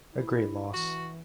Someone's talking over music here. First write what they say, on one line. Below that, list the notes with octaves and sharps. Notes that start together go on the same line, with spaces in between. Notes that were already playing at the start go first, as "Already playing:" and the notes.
A great loss.
E4
E3 F#4